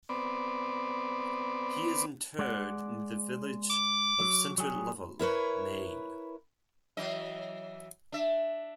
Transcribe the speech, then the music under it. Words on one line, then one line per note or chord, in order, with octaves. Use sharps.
He is interred in the village of Center Lovell, Maine.
B3 C4 D5
G#3 D5 F#5
D6
F#3
F#3 G3 G#4
E4 A#4 B4 C#5
E3 F#3 D#5
D4 E5